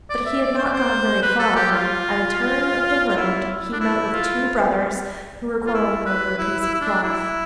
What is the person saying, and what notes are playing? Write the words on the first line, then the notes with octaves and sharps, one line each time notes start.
But he had not gone very far when, at a turn of the road, he met with two brothers, who were quarrelling over a piece of cloth.
D5
E5
D5
C5
D5
C5
B4
A4
G4
F4
F4
E4
D4
E4
F4
F4
E4
B4
E4
E4
E4
D4
E4